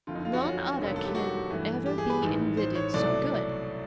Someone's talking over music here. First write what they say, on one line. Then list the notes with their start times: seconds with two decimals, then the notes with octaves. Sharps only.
None other can ever be invented so good.
0.07 F#1 F2 D3 F4
0.15 D#4
0.25 F4
0.33 F#4
0.42 C#4
0.79 E1 D#2 D3 F#3 B3
0.96 A4
1.05 G4
1.15 F#4
1.50 G2 E3 A3
1.86 G4
1.98 G#4
2.10 B4
2.23 A1 G#2 D#3
2.57 C5
2.75 C#5
2.94 C2 B2 F#3 A3 D5